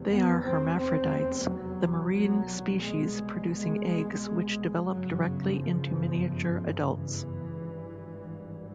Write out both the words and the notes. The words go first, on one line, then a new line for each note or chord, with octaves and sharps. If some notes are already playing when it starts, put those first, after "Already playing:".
They are hermaphrodites, the marine species producing eggs which develop directly into miniature adults.
Already playing: F1 E2 C3
B3
C4
C4
F#3
C2 B2 F#3
G#3
G#3
G1 F#2 C#3 F#3
F3
E3
G#1 G2